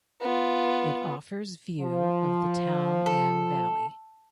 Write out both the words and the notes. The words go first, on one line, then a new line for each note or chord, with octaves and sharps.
It offers view of the town and valley.
B3 F4
F3
A4